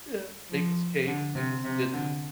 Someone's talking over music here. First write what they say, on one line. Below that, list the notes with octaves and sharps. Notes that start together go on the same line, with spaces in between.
Yeah, make us cakes, make us dinner,
F3
D3
C3
C3
D3